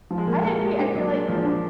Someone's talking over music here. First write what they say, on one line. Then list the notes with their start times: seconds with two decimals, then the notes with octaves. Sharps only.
I agree. I feel like
0.11 F3
0.18 G#3
0.27 A#2 A#3
0.45 G#3
0.60 A#2
0.78 D4
0.94 A#2 F#3
1.12 G#3
1.28 A#2 F3
1.45 D4